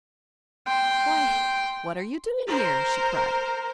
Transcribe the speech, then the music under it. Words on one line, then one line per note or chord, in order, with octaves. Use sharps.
"Why, what are you doing here?" she cried.
G5 C6
A#4 C5